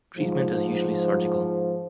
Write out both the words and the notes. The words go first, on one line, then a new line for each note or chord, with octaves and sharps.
Treatment is usually surgical.
G#2 F3